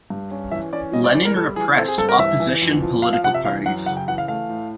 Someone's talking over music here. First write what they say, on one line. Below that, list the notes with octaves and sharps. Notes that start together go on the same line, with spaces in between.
Lenin repressed opposition political parties.
G2
C#4
E3 E5
C#4 D5
G3 D#5
D5
E3 D5
A#4
G3 A4
E3 G#4
C4 A4
G#4
G2 A4
A#4
E3 E5
E3
F2
F3
F3 F5
F5
C3 F#5
E5
E3 F5
F#2 F#5
C#3 F#5
G5
E3 F#5
F5
A3 F5
A2